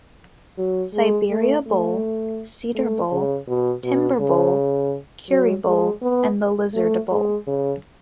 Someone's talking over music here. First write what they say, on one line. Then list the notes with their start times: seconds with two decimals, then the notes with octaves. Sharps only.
Siberia Bowl, Cedar Bowl, Timber Bowl, Currie Bowl, and the Lizard bowl.
0.58 F#3
0.94 G#3
1.30 A3
1.67 A3
2.75 A3
3.12 C#3
3.48 B2
3.84 B2
4.20 C#3
5.29 F#3
5.66 G#3
6.02 B3
6.74 A3
7.11 G#3
7.47 C#3